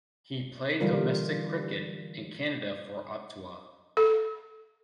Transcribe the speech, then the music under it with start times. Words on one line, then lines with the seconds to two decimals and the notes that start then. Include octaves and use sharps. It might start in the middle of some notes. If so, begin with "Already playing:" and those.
He played domestic cricket in Canada for Ottawa.
0.80 D3 E3 G3 F4 A#4
3.97 A4